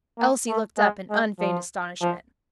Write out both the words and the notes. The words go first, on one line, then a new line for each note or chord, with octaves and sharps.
Elsie looked up in unfeigned astonishment.
A#3
A3
G#3
G#3
F3
F3